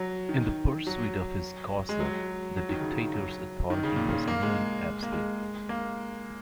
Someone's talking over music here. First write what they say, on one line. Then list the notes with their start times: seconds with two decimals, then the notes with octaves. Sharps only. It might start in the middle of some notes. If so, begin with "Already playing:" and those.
In the pursuit of his "causa", the dictator's authority was nearly absolute.
Already playing: F#3
0.29 D#3
0.87 F#3
1.89 G#3
2.00 F#3
2.57 F#3
2.69 D#3
2.81 C#3
2.93 D#3
3.14 F#3
3.70 D#3
3.83 C#3
3.96 A#2
4.09 C#3
4.28 A#3
4.42 G#3
5.03 A#3
5.12 G#3
5.69 A#3